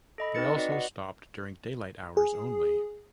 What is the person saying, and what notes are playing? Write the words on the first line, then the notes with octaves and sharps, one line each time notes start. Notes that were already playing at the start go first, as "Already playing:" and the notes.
They also stopped during daylight hours only.
A4 D#5 B5
C4 D#4 B4 A6 C#7
F#4 B4 D5 D#5
F#5
G#4